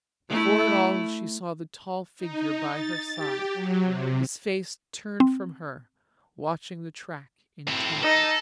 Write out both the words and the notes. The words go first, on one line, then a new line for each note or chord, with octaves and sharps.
Before it all she saw the tall figure by her side, his face turned from her, watching the track intently.
A3 E4
D#4
A6
G4
F#3
C3
C4
A2 C4
D#4 A4